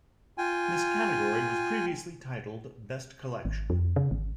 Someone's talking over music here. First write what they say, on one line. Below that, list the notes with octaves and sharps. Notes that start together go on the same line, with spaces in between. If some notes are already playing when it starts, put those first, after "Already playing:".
This category was previously titled "best collection".
F4 G5 G#5
G#1
F2
C#3
G#1